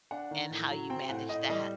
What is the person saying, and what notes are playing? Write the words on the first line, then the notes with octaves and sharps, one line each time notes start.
and how you manage that,
D4 F#5
D#3
A2
F#3
C4 G5
A2 F#5
A2 D#5
G3 D#5